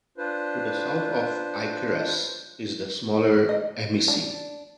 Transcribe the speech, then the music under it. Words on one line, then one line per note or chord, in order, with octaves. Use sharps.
To the south of Icarus is the smaller Amici.
D4 F4 B4 C5
D#5
D4